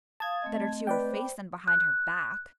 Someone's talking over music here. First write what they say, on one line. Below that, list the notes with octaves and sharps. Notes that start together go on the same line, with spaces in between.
"Better to her face than behind her back."
F5 A5 D#6 G#6
A3 C4 D#5
B4 D5 G5
C5
F#6